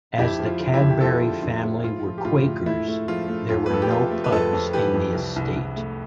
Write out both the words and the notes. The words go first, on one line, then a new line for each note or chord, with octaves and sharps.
As the Cadbury family were Quakers there were no pubs in the estate.
F2 E4 G4
F3
F4
D3
E4 G4
F2
G4
F2 F4 A4
D3
F2 F4
F3
A2 F4
F3
G4
A2 F4
A2
A3 E4
A3
F3 F4
A3
F2 F4
B4
F2 A4
G4
A3 F4
A3
B4
F2 F4 A4
F2
E3 G4 B4
F2
C2
C2
C2
A3